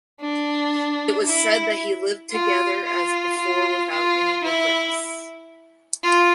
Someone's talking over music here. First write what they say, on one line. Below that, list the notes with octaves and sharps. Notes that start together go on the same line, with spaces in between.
It was said that he lived together as before without any regrets.
D4
E4
F4
F4
F4
F4
E4
F4